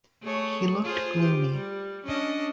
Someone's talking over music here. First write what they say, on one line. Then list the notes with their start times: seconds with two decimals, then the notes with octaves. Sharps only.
He looked gloomy.
0.23 A3 G#4 C#5
0.84 F4 G#4 C5
1.22 G4
1.53 G3
2.05 C#4 D4 D#5